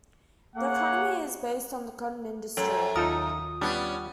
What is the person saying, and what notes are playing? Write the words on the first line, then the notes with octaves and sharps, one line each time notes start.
The economy is based on the cotton industry.
A#3 G#4 C#5 F#5
F#2 A4 C#5 G5
D#2 D#4 F4 A4 A#4 D#6
G3 B3 C#4 D4